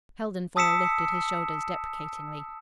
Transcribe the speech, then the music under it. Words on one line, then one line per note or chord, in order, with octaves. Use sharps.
Heldon Foyle lifted his shoulders deprecatingly.
A5 D#6 E6 B6 C#7 E7